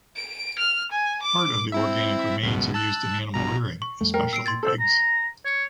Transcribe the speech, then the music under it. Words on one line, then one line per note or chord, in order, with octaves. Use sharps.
Part of the organic remains are used in animal rearing, especially pigs.
D7
F6
G#5
D6
C4 E4 E5
C#2 F#2 B2
A5 E6 F#6
A#1 B2 A#5
C#6
F2 G3 A3
A#4 G5
A#2 E6 C7 D7
C6 G#6 A6
A4 C5 E6
A#5
C#5